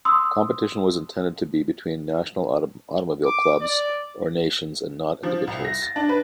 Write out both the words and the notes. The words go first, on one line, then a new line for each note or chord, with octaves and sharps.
Competition was intended to be between national automobile clubs, or nations, and not individuals.
C6 D#6 E6
D6
D5
F3
C2
A#6
A6
D4
B4